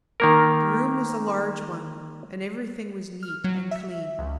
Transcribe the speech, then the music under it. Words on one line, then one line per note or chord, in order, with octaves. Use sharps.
The room was a large one and everything was neat and clean.
D#3 A#3 A#4
F6
F#3
E5
C#2